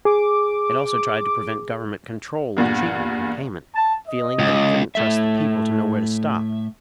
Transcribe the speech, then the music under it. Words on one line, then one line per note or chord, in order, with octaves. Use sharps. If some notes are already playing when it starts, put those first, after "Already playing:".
It also tried to prevent government control of treatment and payment, feeling that it couldn't trust the people to know where to stop.
G#4 D6
E2 G2 A#2 F#5
A5
D#5
C#2
A2 A3 E5